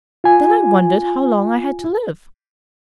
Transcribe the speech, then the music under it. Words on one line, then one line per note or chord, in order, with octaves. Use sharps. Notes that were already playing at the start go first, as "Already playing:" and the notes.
Then I wondered how long I had to live.
F4 G#5